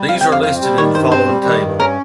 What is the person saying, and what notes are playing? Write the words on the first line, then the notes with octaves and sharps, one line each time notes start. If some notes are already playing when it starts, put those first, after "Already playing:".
These are listed in the following table.
Already playing: G3
C3 F5
G5
F2
F5
C4 F5
G3
D#3 C#5
G2 C5
C4 C5
G3
D#3
G2
C#4 A#4